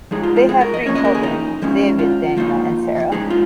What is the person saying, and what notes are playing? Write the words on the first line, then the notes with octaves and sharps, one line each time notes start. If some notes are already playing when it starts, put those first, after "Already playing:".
They have three children: David, Daniel and Sara.
F3 G#3 D#4 G#4
F4
F4
G#4
A#4
D#5
F3 A#3 C#4 C#5
D#5
A#4
G#4
D#4
F3 G#3 C#4
F4
F3 A#3 D#4 F4
F3 G#3 D#4 G#4
F4